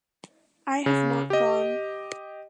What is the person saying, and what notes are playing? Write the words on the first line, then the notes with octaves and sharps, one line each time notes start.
I have not gone.
C#3
G4 D#5